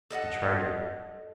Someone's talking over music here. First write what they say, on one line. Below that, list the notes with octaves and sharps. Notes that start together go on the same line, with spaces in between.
I tried it.
A4 D#5 E5 F#5